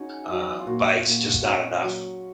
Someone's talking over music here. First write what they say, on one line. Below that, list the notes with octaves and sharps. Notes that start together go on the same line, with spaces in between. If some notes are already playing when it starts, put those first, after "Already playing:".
uh, bikes just not enough.
Already playing: C#4 D#4 F#4 G#4
F#3
F4
A#2 F#4
A#2
C#4 F#4
F#3